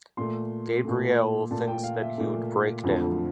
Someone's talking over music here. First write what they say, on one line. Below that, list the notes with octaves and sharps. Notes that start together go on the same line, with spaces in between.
Gabrielle thinks that he would break down.
A#2 A3 C6
A#2 A3
A#2 A3 A5
G5
F5
E5
A#2 A3
F2 D3 F3 A3